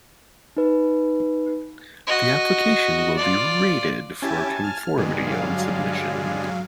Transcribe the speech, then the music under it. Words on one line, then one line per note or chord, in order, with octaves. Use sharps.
The application will be rated for conformity on submission.
D#4 B4
F#4 D#5
F4 D5
C#4 E4 G4 G#5 A5
F6
G2 B2 D3 D#3 G#3
F#3 F5